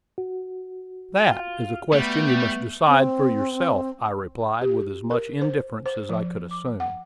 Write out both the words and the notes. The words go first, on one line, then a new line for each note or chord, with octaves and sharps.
"That is a question you must decide for yourself," I replied, with as much indifference as I could assume.
F#4
F4
G3 A3 B3
C4
G4
A#4
C5
C5
F3
D6
F#5